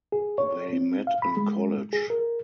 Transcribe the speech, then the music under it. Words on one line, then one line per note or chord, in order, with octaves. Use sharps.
They met in college.
G#4
C#5
C4
F5
B5
G#3
G#4
A#4